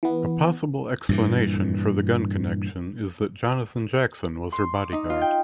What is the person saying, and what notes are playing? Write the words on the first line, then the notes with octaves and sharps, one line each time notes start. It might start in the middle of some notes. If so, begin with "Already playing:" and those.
A possible explanation for the gun connection is that Jonathan Jackson was her bodyguard.
E3 B3
G2 A#2 E3
C6
D6
D#4
F4
G5